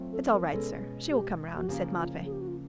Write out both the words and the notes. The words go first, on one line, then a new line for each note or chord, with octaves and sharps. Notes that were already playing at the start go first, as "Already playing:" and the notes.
"It's all right, sir; she will come round," said Matvey.
Already playing: F#3 A3 C4 F4
A4
A#4
B2 G#3 C#4 A4
G4
F#4
C#3 F3 A#3 C#4 G4
F4
G#4
G4
F#4
F4